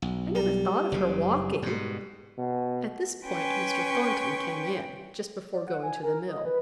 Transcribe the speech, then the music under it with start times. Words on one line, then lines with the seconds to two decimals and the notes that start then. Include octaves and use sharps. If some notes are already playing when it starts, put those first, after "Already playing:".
I never thought of her walking.' At this point, Mr. Thornton came in, just before going to the mill.
0.02 B1
0.35 G3
0.92 F#1 C#3
1.62 G#2 B2
2.38 B2
3.26 C#4 B4 G5 G#5 C6 C#6
5.53 D5
5.67 F#5
5.83 G#5
6.03 A#4
6.28 D#5
6.45 B4